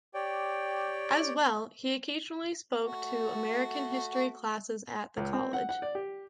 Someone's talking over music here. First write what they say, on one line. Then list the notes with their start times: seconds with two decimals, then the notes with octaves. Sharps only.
As well, he occasionally spoke to American History classes at the college.
0.14 G4 C#5 D5 G5
2.82 A3 F#4
5.17 C#2
5.34 C4
5.53 F#5
5.69 F#5
5.82 D5
5.95 G4